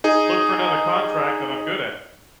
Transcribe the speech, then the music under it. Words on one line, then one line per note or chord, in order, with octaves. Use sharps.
look for another contract that I'm good at.
D#4 G#4